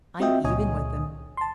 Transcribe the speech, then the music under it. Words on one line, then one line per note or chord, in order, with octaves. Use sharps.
I'm even with him.'
C4 F4 F#4 D#5 E5 G5
C#2 A#2 C#5 D#5 G#5 D#6
A5 C6